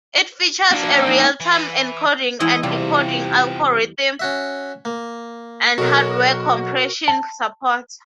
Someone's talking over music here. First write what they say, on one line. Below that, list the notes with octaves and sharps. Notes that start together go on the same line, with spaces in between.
It features a real-time encoding and decoding algorithm and hardware compression support.
A#3 D4 F#4
G5 E6
D#4 G5 G#5
E3
E2 G#3 E4 D#5
C3 G3 F4 G4
C#4 F#4 E5
A#3
B1 B2 F#3 F#4 A#4
A5